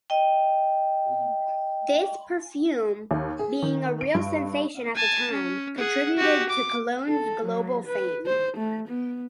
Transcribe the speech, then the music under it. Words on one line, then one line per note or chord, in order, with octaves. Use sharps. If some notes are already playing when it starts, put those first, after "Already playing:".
This perfume, being a real sensation at the time, contributed to Cologne's global fame.
D#5 G5
D#2
G#4
D#3
D7
G2
G#5 A5
C#4
G#4 F#5
F#4 G4
D6
A4
F#3
B4
C5
A3
B3